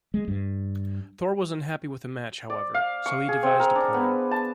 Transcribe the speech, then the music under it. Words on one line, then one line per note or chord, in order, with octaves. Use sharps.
Thor was unhappy with the match however, so he devised a plan.
G#3
G2
D5
F5
C#6
G#4
C4
A#4
D4
B3
A5